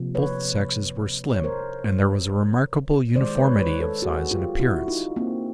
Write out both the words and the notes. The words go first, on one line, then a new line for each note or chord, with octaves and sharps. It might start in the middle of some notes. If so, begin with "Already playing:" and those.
Both sexes were slim, and there was a remarkable uniformity of size and appearance.
Already playing: C3 F3 A#3
B4 C#5
C#5
A#4 C5
D#3 G#3 C5 D5
B4 C#5
B4 C#5
A4 B4
F#4 G#4
F4 G4
E4 F#4
D#4 F4
A#3 C4